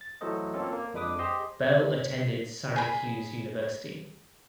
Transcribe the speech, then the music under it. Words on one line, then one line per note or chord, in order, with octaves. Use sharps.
Bell attended Syracuse University.
A6
E3 F#3 A3 A4 C5 D#5
A#3 C4 C#4 F4 A4
A#3
F2 G#3 D4 B4 D6 D#6
G4 G#4 C5 D#5 C6
G#4 B5